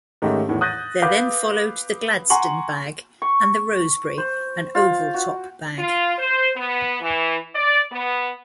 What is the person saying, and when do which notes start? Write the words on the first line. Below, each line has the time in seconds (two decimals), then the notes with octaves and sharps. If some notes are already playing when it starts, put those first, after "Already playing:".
There then followed the Gladstone bag and the Rosebery, an oval-top bag.
0.22 G#2 D#3 G#3 A3 C#4 G4
0.48 E2 A2 D#3
0.61 D#6 F#6 G6 A6 A#6 D#7
1.02 B4 F5 D6 G6
2.30 F#5 G#5 A#5 C6 C#6 F#7
3.22 C#6
4.18 C5
4.75 F4
5.14 F#4
5.77 F4
6.18 C5
6.56 B3
7.01 E3
7.55 D5
7.91 B3